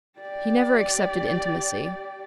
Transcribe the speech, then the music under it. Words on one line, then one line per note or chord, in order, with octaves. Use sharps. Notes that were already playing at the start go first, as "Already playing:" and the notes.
He never accepted intimacy.
G4 D5